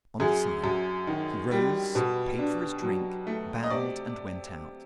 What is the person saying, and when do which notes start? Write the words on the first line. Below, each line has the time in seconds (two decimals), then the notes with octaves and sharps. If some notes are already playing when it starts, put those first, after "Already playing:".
On the sign he rose, paid for his drink, bowed, and went out.
0.20 F#2 G#4
0.64 F#2
1.07 D#3
1.51 G3
1.95 B2
2.39 D4
2.83 F#3
3.27 A3
3.63 D#5
3.70 C3 D5